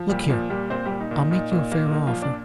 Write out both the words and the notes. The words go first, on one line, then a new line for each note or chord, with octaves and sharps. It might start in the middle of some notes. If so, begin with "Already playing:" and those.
Look here!--I'll make you a fair offer.
Already playing: F3
A#2 G3 G4
A#2 F3 F4
A#2 G3 G4
A#2 C4 C5
A#2 G3 G4
D#4
A#2
D#4
A#2 D#4
A#2
A#3
A#3 D#4
F3 F4
A#2
D4 D5